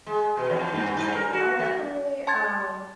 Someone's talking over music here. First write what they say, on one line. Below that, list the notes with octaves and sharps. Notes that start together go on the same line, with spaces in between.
That's interesting. I definitely, um,
G#3
B2
E2
G2
G2
A#4
F#4
F#3
A5 C6 G#6 A6